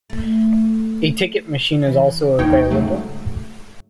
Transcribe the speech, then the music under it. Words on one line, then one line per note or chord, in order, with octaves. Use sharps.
A ticket machine is also available.
A3
E3
G#1 D#2 G#2 D#4 C#5 G5
G#2 C#3 F#3 A3